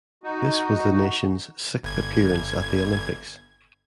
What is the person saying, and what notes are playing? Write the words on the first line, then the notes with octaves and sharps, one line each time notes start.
This was the nation's sixth appearance at the Olympics.
D#4 F#4
G1 G#6